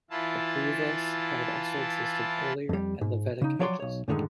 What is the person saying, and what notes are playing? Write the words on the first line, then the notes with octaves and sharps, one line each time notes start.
The Pauravas had also existed earlier in the Vedic Ages.
E3 E4 F4 A5
F2 G3
G#2
C#3 D#4
F3 F#3 C#5 D5 G#5 C6
B1 C#5
F#2 A2 D3 D#3 G#3